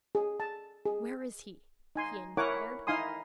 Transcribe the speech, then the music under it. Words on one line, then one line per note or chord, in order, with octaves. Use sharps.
"Where is he?" he inquired.
G#4
A5
G#4
D#4 G#5 C6
E4 A#4 C#5 F#5 G#5 D6
D#4 E4 F5 G#5 C6 D#6